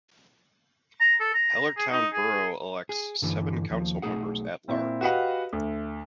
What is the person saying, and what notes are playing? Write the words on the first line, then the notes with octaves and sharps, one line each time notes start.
Hellertown Borough elects seven council members at large.
A#5
A4
A#5
G#4
D#4
G#4
G#4
G2 D3 E3
D#2 F3
B1 A3 D#4 G#4 F#5
A#2 C4 E4
F#4 G4 B4 D#5 F5 F#5
D2